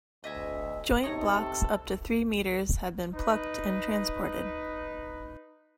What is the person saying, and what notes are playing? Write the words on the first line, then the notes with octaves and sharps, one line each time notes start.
Joint blocks up to three meters have been "plucked" and transported.
D2 D#5 E5 G#5
C3 D#4 A4 C#5 D#5 A#5 C#6
D#4 B4